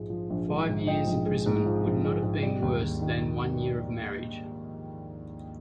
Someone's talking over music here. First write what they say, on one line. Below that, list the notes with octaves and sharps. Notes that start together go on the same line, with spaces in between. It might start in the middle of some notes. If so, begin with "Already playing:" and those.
Five years' imprisonment would not have been worse than one year of marriage.
Already playing: A#1 G#2 F3 G#3
F3
A#1
G#3
G#2
F3 D#5 G5
A#1
G#3
G#2
F3
A#1
G#3
G#2
G3
D#2
D#2
D#3